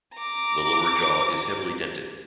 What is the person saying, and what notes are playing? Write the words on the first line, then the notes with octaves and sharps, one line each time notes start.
The lower jaw is heavily dented.
A#5 D6